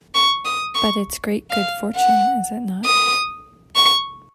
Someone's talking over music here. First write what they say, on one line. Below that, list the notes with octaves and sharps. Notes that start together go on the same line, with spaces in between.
But it's great good fortune, is it not?
C#6
D#6
C#6
F5
F#5
D#6
C#6